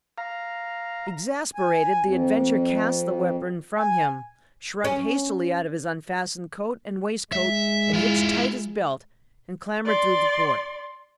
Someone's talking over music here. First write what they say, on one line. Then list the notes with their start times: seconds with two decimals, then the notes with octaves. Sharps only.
Exasperated, the adventurer cast the weapon from him, shrugged hastily out of his unfastened coat and waistcoat, hitched tight his belt, and clambered through the port.
0.18 F5 A#5
1.55 G#5
2.03 F2
3.78 G#5
4.84 C#4
7.32 G#3 E5
7.93 E4 F4
9.85 D5 C6